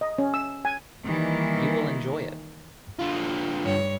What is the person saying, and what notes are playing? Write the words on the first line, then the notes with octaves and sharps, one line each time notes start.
You will enjoy it.
D#5
C#4
E6
G#5
D#3 E3 G3 A#3
D3 F4
G2 C#5